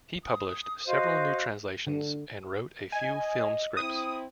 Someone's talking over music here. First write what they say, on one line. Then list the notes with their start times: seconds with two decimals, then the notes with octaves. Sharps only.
He published several new translations and wrote a few film scripts.
0.22 D#6
0.87 F#4 C5 D#5 F5
1.87 D3
2.92 D#5 G#5
3.77 C4 E4 D#6